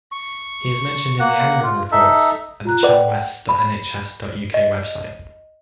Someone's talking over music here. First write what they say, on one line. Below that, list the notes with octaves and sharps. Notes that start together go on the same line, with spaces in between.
He is mentioned in the annual reports at the chelwest.nhs dot uk website.
C#6
A#3 F#5
F4
D#4 A4 E5
F4 A#5 F#6
B4 D5 F#5 G5
B5
D#5